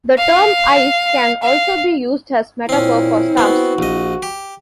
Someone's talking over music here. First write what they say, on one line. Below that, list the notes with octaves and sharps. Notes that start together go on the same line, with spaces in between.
The term "eyes" can also be used as a metaphor for "stars".
F5
F5
A#2 C4 C#4 E4
B3 C4 F#4
A#1 D#5
G4